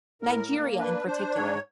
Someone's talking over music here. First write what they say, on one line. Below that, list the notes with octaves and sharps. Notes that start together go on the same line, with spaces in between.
Nigeria in particular.
A2 A#4
A#3
D4 B4
D4 C5
G#2 C#5